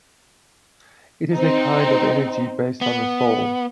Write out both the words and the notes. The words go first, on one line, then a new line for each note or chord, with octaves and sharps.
It is a kind of energy based on the soul.
C4 D#4
B3